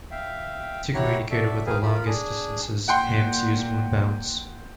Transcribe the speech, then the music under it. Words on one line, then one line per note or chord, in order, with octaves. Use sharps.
To communicate over the longest distances, hams use moon bounce.
E5 F5 G5
E4 G4 C#5 F#5 A#5
F#4 A4 D5 E5
G#4 A#4 B4 F5 G5 G#5
F4 A#4 B5
D4 G#4
A#2 F#5 G5 C6